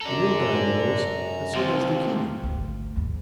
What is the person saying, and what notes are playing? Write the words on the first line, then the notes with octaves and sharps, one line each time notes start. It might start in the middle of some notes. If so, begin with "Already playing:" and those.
'The Nilghai knows, and so does the Keneu.
F#2 A4 D5 A#5
D#2 C3 C4 F4
G#1 D2
D#2 G#2